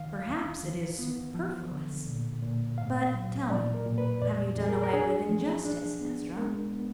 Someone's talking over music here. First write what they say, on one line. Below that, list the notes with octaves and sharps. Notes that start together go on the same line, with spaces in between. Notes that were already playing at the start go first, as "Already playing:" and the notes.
"Perhaps it is superfluous; but--tell me--have you done away with injustice, Estra?"
Already playing: D#3 F5
D#2
D#3
B3
F3
D3
A#2
A#2
G#2 F5
F#3
A#2 D5
A#4
A#2
B4
F2 D5
F2
G#4
A#4
A#4
D4 G#4
F3
D4
B3
G#3 A#4
B3